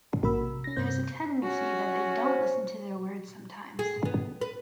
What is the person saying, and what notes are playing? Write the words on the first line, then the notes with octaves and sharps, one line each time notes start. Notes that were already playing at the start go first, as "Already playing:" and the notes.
There is a tendency that they don’t listen to their words sometimes.
A#1 A#3 F#4 A#4 B5 E6
C3
C#4 A#6
G2 C3 C4 C5 G6
C#4 F#4
C5
G#4
B3
B4